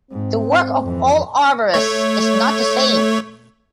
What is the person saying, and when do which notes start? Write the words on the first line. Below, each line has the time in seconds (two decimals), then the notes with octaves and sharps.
The work of all arborists is not the same.
0.11 G#2 C4
0.84 F2 E3
1.74 A3 C#5